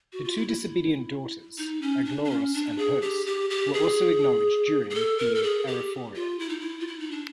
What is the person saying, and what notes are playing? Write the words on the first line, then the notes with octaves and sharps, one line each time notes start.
The two disobedient daughters, Aglauros and Herse, were also acknowledged during the Arrephoria.
F#4
F4
E4
E4
D#4
C#4
D4
D4
C#4
D4
G#4
G4
G4
G4
G#4
G#4
A4
A#4
A4
G#4
G4
F4
E4
D#4
E4
F4
E4
D#4
D4